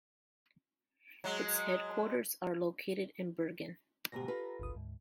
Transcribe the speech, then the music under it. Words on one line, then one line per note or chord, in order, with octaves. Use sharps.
Its headquarters are located in Bergen.
F#3 G#3
D2 G#2 B2 G4 A#5 A#6
F4 A4 B4
G1 C#2 D#6
D2 G#2